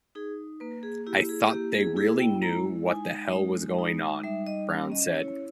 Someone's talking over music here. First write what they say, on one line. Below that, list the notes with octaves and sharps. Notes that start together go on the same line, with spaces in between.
I thought they really knew what the hell was going on, Brown said.
D#4 G#4
A#3 B4
G#4
E4 G4
G#4
A#3 G4
G#4
E4 G#4
G5
G#3 A#5
D#4 G#5
G#3
D#4
G3 E5
D#5
C#4
D#5
E4 C#5